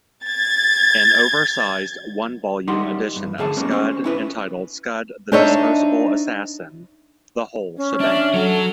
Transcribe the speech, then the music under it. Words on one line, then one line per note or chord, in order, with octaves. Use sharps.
An oversized, one-volume edition of Scud entitled Scud The Disposable Assassin: The Whole Shebang!
G#6 A6
G3 D#4 A#4 F#5 C6
G2
D2 D3 G#4 A5
G3 G#3 A#3 C#4
C#4 C5
C#4 E4 B4
D4 D#4 C5 C#5 D#5 E5
C#4
D4 E5
F#3 F#4 A4